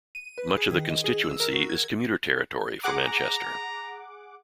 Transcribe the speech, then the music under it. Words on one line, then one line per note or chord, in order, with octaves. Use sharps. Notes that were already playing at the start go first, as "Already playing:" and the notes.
Much of the constituency is commuter territory for Manchester.
D#7
B4
G#4
D#3
D#5
G#4
E6
A#4
F#4
G#6
G#4 F#5 A#5 D6